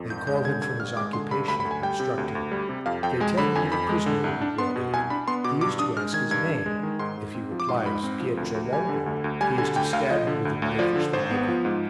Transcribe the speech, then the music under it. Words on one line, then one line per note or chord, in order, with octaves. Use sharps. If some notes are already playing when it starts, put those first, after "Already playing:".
They call him from his occupation and instruct him. They tell him that a prisoner will be brought in, he is to ask his name, if he replies "Pietro Longo," he is to stab him with the knife which they give him.
Already playing: F2
G#1 G6
G#3 G6
D3 G#6
G2 G#6
G#1 F6
G#3 D6
D3 C6
G2 B5
D2 B5
B5
D2
G#5
G3 G5
C3
D2
D2
G3
C3
F2 F5
F2 G5
G#3 G#5
D3 B5
F2 G#5
F2 B5
G#3
D3
C2
D4
B3 C6
B2
C2 G#5
D4 B5
B3 C6
B2 D6
G2 D6
D4 D#6
G#3 F6
D#3 G#6
G2 G#6
D4
G#3
D#3
G#2 C6
G#2
C4
F3
D6
G#2 C6
G#2 B5
C4
F3
D2
D2
G3 G#5
D3
D2
D2
G3 G#5
D3 G#5
D2 G5
D2 F5
F3 D#5
D3
D2
D2
F3 D5
D3
G#1 C5
B3
F3
G#2